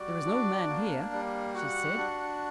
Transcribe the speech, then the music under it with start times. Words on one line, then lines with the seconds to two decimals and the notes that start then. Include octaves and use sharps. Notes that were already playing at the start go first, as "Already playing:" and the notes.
"There is no man here," she said.
Already playing: G3 F#4 D5
0.26 D4
0.69 A#3
1.12 G3
1.54 F#4 F#5
1.97 D4